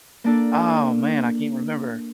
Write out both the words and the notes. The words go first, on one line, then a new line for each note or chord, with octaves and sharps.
Oh, man. I can't remember
A#3 D4 A4